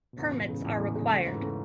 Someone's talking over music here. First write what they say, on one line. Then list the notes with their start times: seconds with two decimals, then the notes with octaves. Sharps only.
Permits are required.
0.13 B2
0.17 E2 A2 C#3
0.30 E2 B2
0.41 F#2
0.49 G#2 C#3
0.64 E2 A2
0.76 A2 G#3
0.96 B2 D3 G#3
1.11 C#3 E3 A3
1.27 G#2
1.34 C#3 E3
1.42 A3